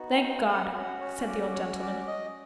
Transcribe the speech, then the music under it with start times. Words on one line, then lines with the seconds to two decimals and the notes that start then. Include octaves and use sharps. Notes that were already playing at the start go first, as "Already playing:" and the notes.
'Thank God!' said the old gentleman.
Already playing: B3 D#4 F#4
0.21 G5
0.48 F#5
0.73 C#4 F#4 F#5
1.01 C#5
1.27 D5
1.54 C#5
1.81 D5
2.07 D#5